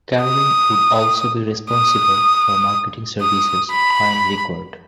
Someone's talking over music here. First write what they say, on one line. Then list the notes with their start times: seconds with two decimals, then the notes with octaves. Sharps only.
Caroline would also be responsible for marketing services when required.
0.22 D#6
1.71 D#6
3.22 D#6
3.71 B5